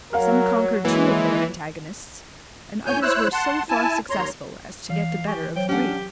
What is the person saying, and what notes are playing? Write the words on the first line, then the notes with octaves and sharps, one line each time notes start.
Some conquer'd two of their Antagonists, and others were so far successful as to get the better of three.
F#3 A#4 F5 F#5 F6
E3 G#3 A#3
A2 C#5 G#5 G6
E4 C5 C#5 E6 F#6
F#5 A5 C6
E4 G#5 A5
D#2 C#5 A#5 C6
E3 F5
G4 G5 G#5 C#6
F#3 C5 C#5 G5
C#4 D4 G4 F#5